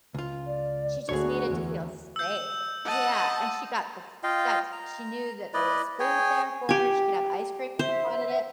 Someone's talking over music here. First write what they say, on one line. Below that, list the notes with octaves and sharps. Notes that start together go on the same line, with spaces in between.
she just needed to feel safe. Yeah, and she got the f she got she knew that there was food there for her, she could have ice cream wanted it,
C#2 F4
D5
D2 F#4 G#4 C#5
E2
E6 G6
D#5 F#5 A5 D#6
F4 D#5 F5 G5
A#5
E4 B4 D5 D#5
G#4 C#5 G5 G#5
G4 G#5
C5 E5